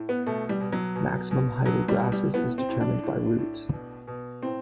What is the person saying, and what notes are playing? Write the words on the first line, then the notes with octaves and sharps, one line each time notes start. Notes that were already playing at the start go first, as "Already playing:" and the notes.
Maximum height of grasses is determined by roots.
Already playing: A2
B3
B2 A3
G3
B2
F#3
B2
B2
B2 F#3
G3
B2
G3
A2 B3
C4
A2
D4
A2
A2
B2
B2
A2 C4